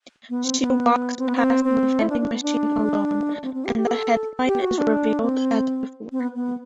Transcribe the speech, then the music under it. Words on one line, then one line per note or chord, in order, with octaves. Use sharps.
She walks past the vending machine alone, and the headline is revealed as before.
B3
C4
B3
C4
B3
C4
C4
E4
D4
D4
B3
D4
C4
C4
G4
G4
A4
G4
F#4
D4
C4
C4
B3
B3